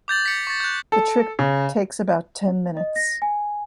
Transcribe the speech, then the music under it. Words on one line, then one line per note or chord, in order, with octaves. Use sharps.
The trip takes about ten minutes.
D6 G6 A6 F#7
B6 C#7
C#6 A6
F#6 G6
A4
C#3
D#5
A#6
G#5